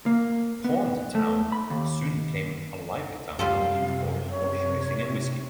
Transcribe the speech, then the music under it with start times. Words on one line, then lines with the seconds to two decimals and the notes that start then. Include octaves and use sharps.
Pond Town soon became a lively town noted for horse racing and whiskey.
0.06 A#3
0.64 B3
1.15 A3
1.52 B5
1.70 D#2
3.39 F#2 C3 G3 F4 A4 F5
4.31 C#5